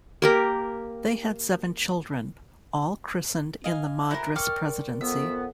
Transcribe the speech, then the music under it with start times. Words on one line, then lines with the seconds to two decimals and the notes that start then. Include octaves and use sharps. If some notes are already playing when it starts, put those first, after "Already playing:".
They had seven children, all christened in the Madras Presidency.
0.22 A#3 G4 A#4
3.64 D#5 F5 G#5
4.11 E4 F#4 A#4 C5 G#5
4.36 A#4 D5 G5 C6 C#6 F6
5.01 F2 B3 E5